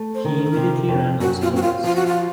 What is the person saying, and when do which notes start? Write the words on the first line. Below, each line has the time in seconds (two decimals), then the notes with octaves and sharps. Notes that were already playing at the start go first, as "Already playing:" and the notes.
He immediately ran on seeing us.
Already playing: A3
0.15 C5
0.24 D#3
0.36 A#4
0.44 A4
0.51 A#4
0.56 C3
0.89 F2
1.20 F#2 F#4
1.42 F4
1.53 C4 F#4
1.62 F4
1.84 F3 F4
1.96 F#4
2.07 F4